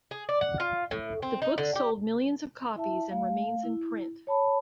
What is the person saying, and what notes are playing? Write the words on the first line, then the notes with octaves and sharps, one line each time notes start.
The book sold millions of copies and remains in print.
G#4
D5
F#5
F4
A2
C4
D#4
D3
G4
E4 E5 A5
A3 F5
E4
C#5 A5 B5